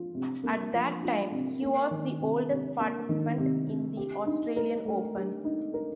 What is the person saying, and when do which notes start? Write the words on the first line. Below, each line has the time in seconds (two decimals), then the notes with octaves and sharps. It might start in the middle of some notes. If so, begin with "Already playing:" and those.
At the time, he was the oldest participant in the Australian Open.
Already playing: F3 F4
0.15 C3
0.44 A#3
0.74 F3
1.03 F4
1.32 C3
1.62 A#3
1.91 D#3
2.20 C3
2.50 C3
2.79 A#3
3.09 D#3
3.38 C3
3.67 C3
3.97 G4
4.26 D#4
4.56 A#4
4.85 A3
5.15 G4
5.45 D#4
5.74 A#4